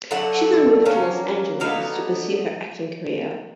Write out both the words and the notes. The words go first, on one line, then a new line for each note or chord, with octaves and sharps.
She then moved to Los Angeles to pursue her acting career.
D3 F#3 A3 F#5
F#3 A#3 C#4
D3 F#3 B3 D#4 F5